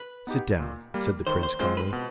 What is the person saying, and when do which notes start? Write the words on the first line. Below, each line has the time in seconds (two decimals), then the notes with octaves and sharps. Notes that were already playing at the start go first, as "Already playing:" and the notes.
"Sit down," said the Prince calmly.
Already playing: B4
0.27 B3 D#4 G4
0.60 A#2
0.94 G3 A#3
1.27 D#3 C5
1.43 C5
1.59 G#3 C4 F4 C5
1.77 B4
1.93 B2